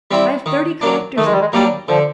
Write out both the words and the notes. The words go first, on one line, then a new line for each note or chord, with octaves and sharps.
I have thirty collectors in the family.
G3 C4 E4
D#3
F#3 A#3 D4
D#3 A3
G#3
G3
G#3
F#3 G3 A#3 D4
D3 F3